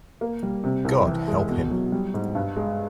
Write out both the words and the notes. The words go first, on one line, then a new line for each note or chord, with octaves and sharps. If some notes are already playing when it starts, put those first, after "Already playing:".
God help him!
A#3
G3
C3
C2
E3
G#3
B2
F#3
G3
G#2
G2
G#3